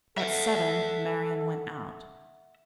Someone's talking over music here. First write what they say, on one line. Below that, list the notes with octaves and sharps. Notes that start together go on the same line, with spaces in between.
At seven, Marian went out.
A4 E5 F#5